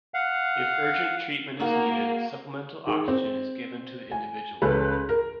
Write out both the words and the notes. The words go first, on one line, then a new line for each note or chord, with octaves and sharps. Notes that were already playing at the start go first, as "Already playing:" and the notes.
If urgent treatment is needed, supplemental oxygen is given to the individual.
F5 F#5
A#3 D#4 F#4 A#4
D#3 G#4
C4
G#5
C#2 C#4 A4 B4
A#4